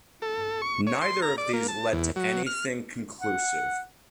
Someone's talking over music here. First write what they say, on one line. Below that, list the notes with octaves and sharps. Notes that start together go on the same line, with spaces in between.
Neither of these led to anything conclusive.
A4
C#6
C#5
C6
A#5
D5
A#3
A5
E2
F#3
F6
F#5